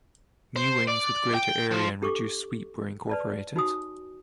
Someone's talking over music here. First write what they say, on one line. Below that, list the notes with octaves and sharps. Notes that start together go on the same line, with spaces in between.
New wings with greater area and reduced sweep were incorporated.
C5
D5
G5
F3
D4 G4 A4 C#6 D6
B4 D5 A5
D#4 F#4 G#5 D#6